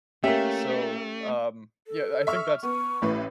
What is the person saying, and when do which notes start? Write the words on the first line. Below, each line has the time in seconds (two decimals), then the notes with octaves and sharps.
So, um, yeah, I think that's
0.24 A3 A#3 C#4 G4 E5
1.87 A4
2.27 E5 C#6 F6
2.63 B3 C#6
3.02 A1 A2 B4